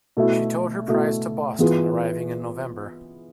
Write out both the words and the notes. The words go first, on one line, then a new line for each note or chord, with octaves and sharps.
She towed her prize to Boston, arriving in November.
B2 A3 E4
B2 A3 E4
E3 B3 F4 G#4 B4